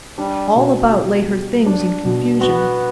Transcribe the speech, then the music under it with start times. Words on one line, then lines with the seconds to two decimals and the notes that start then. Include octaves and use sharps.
All about lay her things in confusion.
0.18 G3 D4
0.55 B2
0.92 G4
1.30 G3
1.66 D4
2.05 B2
2.41 B3 F#4